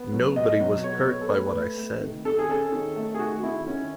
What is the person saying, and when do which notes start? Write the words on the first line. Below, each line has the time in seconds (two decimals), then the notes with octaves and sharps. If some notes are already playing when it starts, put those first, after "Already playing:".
Nobody was hurt by what I said.
Already playing: B3
0.13 F#3
0.36 B2 D#5
0.61 F#3
0.84 B3 C#5
1.07 B3
1.21 A4
1.30 A3 B4
1.55 A3
1.78 A3
2.01 D#3
2.25 D#3 A4
2.39 G#4
2.49 C#4 A4
2.72 D#3
2.96 A3
3.14 G#4
3.19 D#3 F#4
3.43 D#3 E4
3.66 D#3 C#4